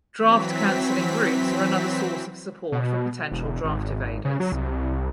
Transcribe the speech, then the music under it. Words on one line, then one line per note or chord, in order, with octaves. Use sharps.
Draft counseling groups were another source of support for potential draft evaders.
E3 F#3 C4 B6
B2
E1
G#1
C#3
F#3
C2